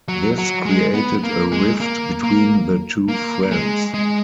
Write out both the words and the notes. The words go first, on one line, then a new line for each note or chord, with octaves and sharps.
This created a rift between the two friends.
F#3
F#3
G#3
B3
A#3
G#3
A#3
A#3
A#3
G#3
G#3